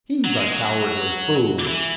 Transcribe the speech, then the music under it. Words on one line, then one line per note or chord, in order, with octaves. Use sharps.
"He's a cowardly fool!"
F#3
G#3
F#3
E3